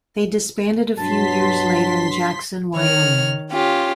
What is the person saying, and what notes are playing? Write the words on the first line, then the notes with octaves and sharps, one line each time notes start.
They disbanded a few years later in Jackson, Wyoming.
G2 B2 F#3 D4 A5 C6 B6
D#3 C#5 F6
C#4 F4 G4